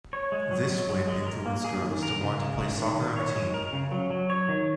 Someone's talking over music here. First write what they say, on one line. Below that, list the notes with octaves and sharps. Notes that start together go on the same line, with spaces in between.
This win influenced girls to want to play soccer on a team.
C#5
G#3
F#3
F#3
G#3
G#3
A#4
A#3
G#4
D#3
A#4
C#3
G#3
G#3
D#3
D#3
C#5
G#3
A#4
C#3
F#3
F#3
C#5
D#3